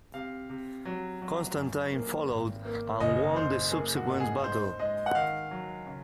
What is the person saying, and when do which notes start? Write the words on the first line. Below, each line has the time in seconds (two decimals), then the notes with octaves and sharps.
Constantine followed, and won the subsequent battle.
0.14 C3 F5
0.49 C3
0.85 F#3
1.22 F#3
1.57 F#2
1.93 A#3
2.29 G#1
2.65 A#3
3.00 F#1 D#5
3.36 F#1 C5
3.72 A#3 G#4
3.96 F#4
4.08 G#2
4.20 G#4
4.43 D#4 C5
4.79 G#3 D#5
5.06 F#5
5.15 D#3 F5
5.51 F#3
5.86 C#3